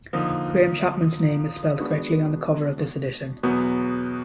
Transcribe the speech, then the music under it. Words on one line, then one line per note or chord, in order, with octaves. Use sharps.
Graham Chapman's name is spelled correctly on the cover of this edition.
D3 F3 A#3 D#4
G#3 B3 D4 F#4
E2 B2 F#3 B3